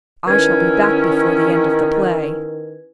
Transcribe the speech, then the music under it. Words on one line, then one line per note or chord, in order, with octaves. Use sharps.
I shall be back before the end of the play.
D#3 C#4 E4 B4 G#6